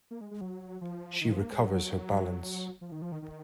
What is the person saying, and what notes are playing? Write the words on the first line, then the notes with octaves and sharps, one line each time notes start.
She recovers her balance.
A#3
G#3
G#3
F#3
F3
D#3
F3
A#3
G#3
F#3
F3
D#3
F3
D#3
D#3